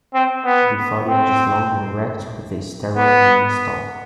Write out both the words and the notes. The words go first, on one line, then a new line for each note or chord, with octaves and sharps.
The foliage is long and erect with a sterile main stalk.
C4
B3
C4
B3